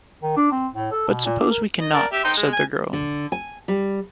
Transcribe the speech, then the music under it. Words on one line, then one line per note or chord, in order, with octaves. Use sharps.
But suppose we cannot? said the girl.
D#3
D4
C4
A2
A4
B2
A#2
D4
A#4
D#5
A#4 D5 A5
G4 E5
D#4 G5 C6
G#3
G#5
D3
G#5
G3